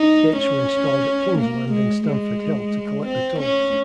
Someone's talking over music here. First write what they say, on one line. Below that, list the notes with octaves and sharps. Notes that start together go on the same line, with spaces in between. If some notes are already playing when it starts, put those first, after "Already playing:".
Gates were installed at Kingsland and Stamford Hill to collect the tolls.
Already playing: D#4
C#4
A#3
G#3
G#3
C4
C#4